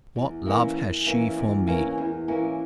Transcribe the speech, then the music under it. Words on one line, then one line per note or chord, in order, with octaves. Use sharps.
What love has she for me?
E2
E3 A#3 C#4
E2
E3 A#3 C#4
E2
E3 A#3 C#4
E2
E3 A#3 C#4